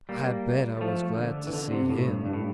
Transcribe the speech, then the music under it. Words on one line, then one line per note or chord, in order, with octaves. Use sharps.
I bet I was glad to see him.
G3 A#3
G3
F3 A3
D3
E3
D3
C3
A2
G2
G2
A2